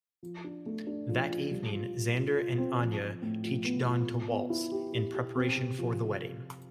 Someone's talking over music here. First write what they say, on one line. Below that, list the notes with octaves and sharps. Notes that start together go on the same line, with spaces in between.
That evening, Xander and Anya teach Dawn to waltz, in preparation for the wedding.
F3
D4
A3
D4
F3
F3
G3
F4
F4
F4
F4
C4
F3
F3
A2
F3
B3
F4
B3
B3
E4
G4
G4
G4
C4
C3
F3